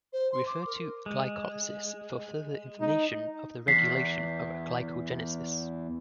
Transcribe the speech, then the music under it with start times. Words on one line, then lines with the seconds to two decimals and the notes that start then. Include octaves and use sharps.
Refer to glycolysis for further information of the regulation of glycogenesis.
0.12 C5
0.32 C6
0.46 D6
0.66 A#4
1.06 G#3
2.80 D#4
3.68 E2 B6 C7